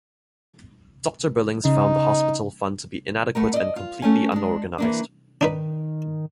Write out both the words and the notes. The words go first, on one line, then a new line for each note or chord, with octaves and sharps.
Doctor Billings found the hospital fund to be inadequate and completely unorganized.
C#3 D#4
A3 B3 A#4
D5 D#5
F4
A3 C#4 G#5
G#3 D4
E3 A#3 D4
D#3 D4 D#4 B4